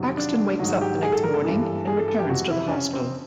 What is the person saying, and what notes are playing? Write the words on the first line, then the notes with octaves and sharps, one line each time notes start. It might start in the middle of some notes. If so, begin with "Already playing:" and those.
Paxton wakes up the next morning and returns to the hostel.
Already playing: F2 C3 D#3 F#3
D4
G#2 D#3 F#3
G4
G#4
A4
A#4
A4
G2 E3
G#4
A4
A4
G4
F2 C3 E3 F#4
E4
D4
C#4
C4